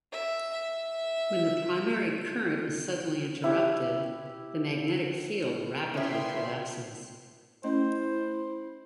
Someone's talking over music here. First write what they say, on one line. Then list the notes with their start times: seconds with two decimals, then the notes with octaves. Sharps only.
When the primary current is suddenly interrupted, the magnetic field rapidly collapses.
0.12 E5
0.53 E5
3.44 E4 G4
5.94 A#2 A3 B3 C#4 E4 E5 G5 C6
7.64 A3 C#4 E4 C5 D#5